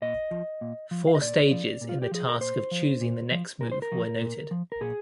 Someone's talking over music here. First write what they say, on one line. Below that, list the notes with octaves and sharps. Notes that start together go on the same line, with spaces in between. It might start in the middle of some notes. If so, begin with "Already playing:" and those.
Four stages in the task of choosing the next move were noted.
A#2 D#5
F3
A#2
F3
F5
D#5
A#2 D5
F3
A#2
F4
G4
F3 G#4
A#4
A#2 C5
F3
A#2
F3
A#2 A#4
C5
A#4
F3
A#2
F3
A#4
A#2 G#4